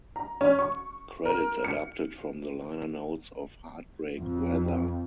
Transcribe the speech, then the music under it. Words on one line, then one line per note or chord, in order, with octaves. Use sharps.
Credits adapted from the liner notes of "Heartbreak Weather".
A#5
C#4
C#6
A#4
C#7
F2